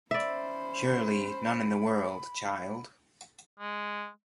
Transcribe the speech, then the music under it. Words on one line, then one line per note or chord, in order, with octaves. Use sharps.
Surely, none in the world, child.
C#4 C5 D5 E5 B5
G#3